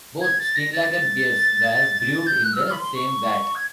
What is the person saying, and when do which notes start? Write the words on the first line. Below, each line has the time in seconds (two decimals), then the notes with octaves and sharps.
Both Steinlager beers were brewed in the same vat.
0.21 G#6
0.39 A6
0.55 A#6
0.73 A6
0.90 A6
2.27 G6
2.44 F#6
2.53 E6
2.61 F6
2.71 B5
2.78 C6
2.95 C#6
3.55 G#6